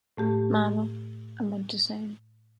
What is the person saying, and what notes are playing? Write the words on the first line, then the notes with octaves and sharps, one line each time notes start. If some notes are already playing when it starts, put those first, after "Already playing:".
Mama, I Want to Sing!
A2 A3 G4